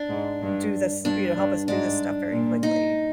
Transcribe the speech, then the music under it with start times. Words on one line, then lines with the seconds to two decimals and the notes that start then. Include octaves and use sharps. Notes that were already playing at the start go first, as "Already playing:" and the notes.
d do this you know, help us do this stuff very quickly.
Already playing: D4
0.09 G#2
0.42 G2
1.05 G2 D4
1.37 G2
1.68 G#2 D4
2.31 A#2
2.63 D#4